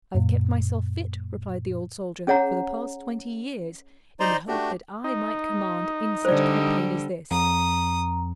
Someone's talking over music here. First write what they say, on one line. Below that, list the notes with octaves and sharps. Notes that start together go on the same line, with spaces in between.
"I have kept myself fit," replied the old soldier, "for the past twenty years, in the hope that I might command in such a campaign as this."
F#2 A#2
C#4 G#4 C#5 F#5 A#5
D#4 C5 D5 D#5 A#5 C6
A3 D4 F#4 G4
D#4
D3 G3 C5 D5
F2 A#5 D#6